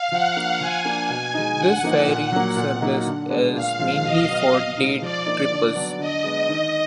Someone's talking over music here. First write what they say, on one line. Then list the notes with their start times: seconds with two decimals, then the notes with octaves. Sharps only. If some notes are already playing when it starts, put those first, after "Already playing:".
This ferry service is mainly for day-trippers.
Already playing: F5
0.12 F3 F#5
0.37 A#3 D4
0.61 F3 G#5
0.85 A#3 D4
1.09 B2
1.34 G#3 D#4
1.59 D3 F#5
1.83 F3 A#3 D#4
2.07 A#2
2.32 F#3 A#3
2.56 A#2
2.81 F#3 A#3 D#4
3.05 D3
3.30 G#3 B3 D4
3.54 A#2 F5
3.79 F3 G#3
4.03 B2 D#5
4.28 F#3 B3
4.53 B2
4.77 G#3 D#4
5.01 F3 D5
5.25 A#3 D#4
5.51 D3
5.75 F#3 B3 D4
5.99 D3 D#5
6.24 G#3 B3
6.48 D#3 D#5